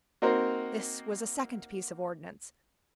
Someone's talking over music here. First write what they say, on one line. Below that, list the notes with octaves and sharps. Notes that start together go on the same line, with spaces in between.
This was a second piece of ordnance.
A#3 C4 D#4 F#4 A#4 C5